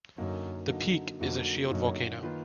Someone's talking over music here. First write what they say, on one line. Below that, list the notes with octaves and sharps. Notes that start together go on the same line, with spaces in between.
The peak is a shield volcano.
F#2 D3 F#3 A#3 D#4
D3 F#3 A#3 D#4
F2 D3 F#3 A#3 D#4
F#2 D3 F#3 A#3 D#4
D#3 A#3 F4 B4